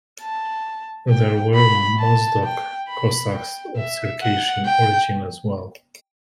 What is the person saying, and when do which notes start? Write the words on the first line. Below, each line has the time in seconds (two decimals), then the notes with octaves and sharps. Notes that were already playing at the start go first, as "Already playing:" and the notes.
There were Mozdok Cossacks of Circassian origin as well.
0.21 A5
1.10 G5
1.55 B5
1.99 A5
2.44 G5
2.88 B5
3.32 G5
3.77 E5
4.21 F#5
4.65 G5